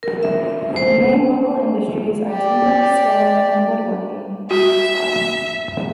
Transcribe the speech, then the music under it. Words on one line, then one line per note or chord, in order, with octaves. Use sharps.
The main local industries are timber, stone- and wood-working and textiles.
A#4
E5
C5
G4 D5
F#4 E5